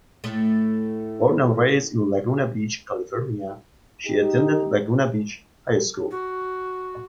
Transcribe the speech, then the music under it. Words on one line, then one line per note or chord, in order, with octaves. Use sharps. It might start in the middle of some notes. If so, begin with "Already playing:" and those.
Born and raised in Laguna Beach, California, she attended Laguna Beach High School.
A2 A3
D#4 G4
F#4